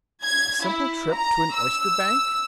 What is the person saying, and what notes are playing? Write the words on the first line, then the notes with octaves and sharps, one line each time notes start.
"A simple trip to an oysterbank?"
G#6
E4
A#5
E6